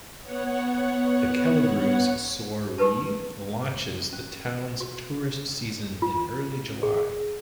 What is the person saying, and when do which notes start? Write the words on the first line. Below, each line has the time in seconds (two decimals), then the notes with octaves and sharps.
The Kelligrews Soiree launches the Town's tourist season in early July.
0.22 B3 C#5 F#5
2.78 D#4 G4 A#4 B4 A5
4.13 C#4
4.80 F#4
6.02 F4
6.83 G#4